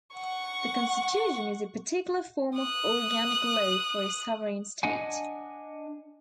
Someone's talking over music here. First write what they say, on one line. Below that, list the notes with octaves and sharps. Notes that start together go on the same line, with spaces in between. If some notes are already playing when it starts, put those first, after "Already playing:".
A constitution is a particular form of organic law for a sovereign state.
F#5 C#6
D#6 F#6
D4 D#5 F#5 G#5